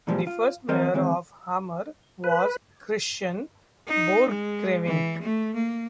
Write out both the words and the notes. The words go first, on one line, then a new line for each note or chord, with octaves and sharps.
The first mayor of Hamar was Christian Borchgrevink.
A#2 E3 F3 G3 G#3
F4
E3 C4 A#4 C5 D#5
D#3 E3 G#3 C4
B4
D#4
G#3
E3
A3
A#3